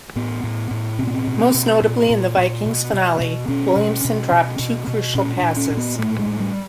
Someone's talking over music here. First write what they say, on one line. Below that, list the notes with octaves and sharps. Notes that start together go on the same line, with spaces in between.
Most notably in the Vikings' finale, Williamson dropped two crucial passes.
A2 B3
A2
A2
B2 C4
B3
C4
B2
B2
A#2
A#2
A#2
B2
B2
B2
B2 C#4
B2
B2
B2
B2
B2
A#2 C#4
D4
A#2
C#4
A#2
B3
A2 A3
G#3
A2
G3